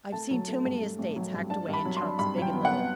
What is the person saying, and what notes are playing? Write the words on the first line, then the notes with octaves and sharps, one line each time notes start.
I've seen too many estates hacked away in chunks, big and little.
A3 A5
F#3
A3
G2
A3
A1
F#3
G2
D4 A5
G2 B5
F#3
C6
D4
G2 B5
F#3 G5
B3
F#5
B3